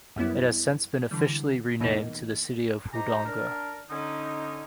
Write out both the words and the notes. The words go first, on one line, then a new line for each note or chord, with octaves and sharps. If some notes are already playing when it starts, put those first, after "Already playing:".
It has since been officially renamed to the City of Wodonga.
F#2 G3 B3 E4
D3 E3 G3
E2 B2 E3 A#3 D#4
D#4 G4 C5 A#5
D4 A#4
D3 C#4 D#4